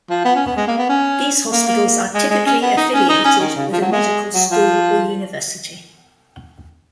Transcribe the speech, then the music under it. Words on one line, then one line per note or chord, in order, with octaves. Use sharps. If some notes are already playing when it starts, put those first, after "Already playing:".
These hospitals are typically affiliated with a medical school or university.
F3
B3
C#4
B3
G#3
A#3
B3
C#4
A#3
A#3
G#3
G#3
C#4
B3
D#4
C#4
D#4
C#4
D#3
C#3
F3
F#3
G#3
F#3
F3